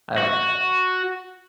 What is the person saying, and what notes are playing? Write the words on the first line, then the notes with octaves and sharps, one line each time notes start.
I like that.
F#4